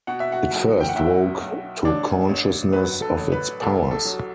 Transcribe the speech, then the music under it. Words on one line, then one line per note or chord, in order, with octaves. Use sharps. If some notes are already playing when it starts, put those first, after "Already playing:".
It first woke to consciousness of its powers.
B2 F#5
E5
F#4 F#5
B1
G5
F#5
B1 E4 E5
B1
A1 D4 D5
A1
F#3 B4
A4
A1
B4
C2 A4
A4
F#3